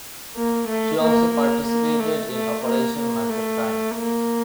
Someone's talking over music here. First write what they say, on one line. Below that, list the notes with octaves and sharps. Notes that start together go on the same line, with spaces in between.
She also participated in Operation Market Time.
A#3
A3
A#3
A#3
A#3
A3
A3
A#3
A#3
A3
A#3